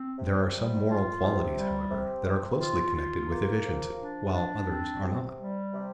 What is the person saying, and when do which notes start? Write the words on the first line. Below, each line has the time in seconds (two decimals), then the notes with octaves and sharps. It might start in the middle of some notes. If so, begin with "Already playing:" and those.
There are some moral qualities, however, that are closely connected with efficiency, while others are not.
Already playing: C4
0.17 C3
0.52 G3
0.87 F4
1.22 C3
1.56 G3
1.90 C3
2.25 C3
2.60 F4
2.95 F4
3.29 A#3
3.64 F3
3.99 D4
4.32 D4
4.68 C4
5.02 C3
5.37 G3
5.72 C3